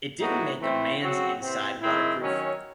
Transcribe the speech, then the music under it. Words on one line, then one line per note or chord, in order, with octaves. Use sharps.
It didn't make a man's inside waterproof.
A2 E3 G#3 D#4 F#4
E3 A3 C4 E4
C#3 F#3 C4 F#4
C3 E3 C4
D#3 G#3 C4 E4
D#3 F#3 C#4